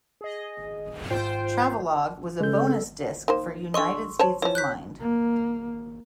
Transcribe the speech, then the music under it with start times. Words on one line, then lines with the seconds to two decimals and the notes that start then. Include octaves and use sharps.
"Travelogue" was a bonus disc for "United States of Mind".
0.21 G#4 D#5
1.10 G#2 F4 C5 G5 G6 C7
2.41 C#3 G#3 A4 G6
3.28 D#3 A#3 C5
3.74 D3 D#5 C6 C#6 E6
4.19 C5 C#5 A5
4.42 E3 F3 C#5
4.55 F#6 G6 B6
5.00 A#3